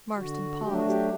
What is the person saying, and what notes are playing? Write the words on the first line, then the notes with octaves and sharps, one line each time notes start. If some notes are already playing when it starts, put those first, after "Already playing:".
Marston paused.
D3 F#4
F#3 A3 D4 G4
F#4
G4